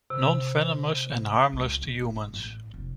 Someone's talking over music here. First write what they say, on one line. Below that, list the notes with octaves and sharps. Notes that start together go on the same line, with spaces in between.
Non-venomous and harmless to humans.
C3
C#2
E1
A1
F1